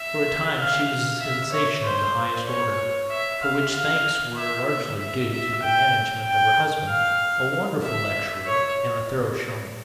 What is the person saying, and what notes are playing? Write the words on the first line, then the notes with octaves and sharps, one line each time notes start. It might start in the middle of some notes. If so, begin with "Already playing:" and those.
For a time she was a sensation of the highest order, for which thanks were largely due to the management of her husband, a wonderful lecturer and a thorough showman.
Already playing: E5
F5
E5
C#5
C5
C#5
E5
F5
F5
E5
E5
E5
E5
G5
G5
F5
E5
C#5